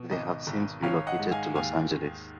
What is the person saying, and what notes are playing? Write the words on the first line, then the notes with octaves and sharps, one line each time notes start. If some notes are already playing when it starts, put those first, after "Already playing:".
They have since relocated to Los Angeles.
Already playing: B2
G#1 D#5
G#1
G#1 C#5 F5
D#5 F#5
G#2
F5 G#5
D#2 F5 G#5
D#3